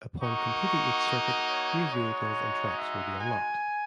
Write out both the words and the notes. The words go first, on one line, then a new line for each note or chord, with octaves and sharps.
Upon completing each circuit, new vehicles and tracks will be unlocked.
A#3 D#4 F#4 C#6
C#6
C#5
G#3 D#4 F#4 C#5
E5
G#5